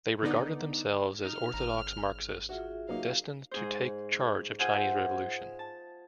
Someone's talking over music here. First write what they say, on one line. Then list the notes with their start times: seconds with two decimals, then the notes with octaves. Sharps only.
They regarded themselves as orthodox Marxists, destined to take charge of Chinese revolution.
0.22 D3 B3 D#4 D5
1.25 D#4 F6
1.54 G#1 A#5
2.49 F4 F#4 G#4 E5
2.89 F#3 A#3 D#4 F5
3.51 G#2 G#4 C5
4.59 F4 G#4 C5 E5 F#5 G#5
5.59 A5